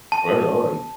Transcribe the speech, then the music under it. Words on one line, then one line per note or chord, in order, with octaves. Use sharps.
Right on.
A5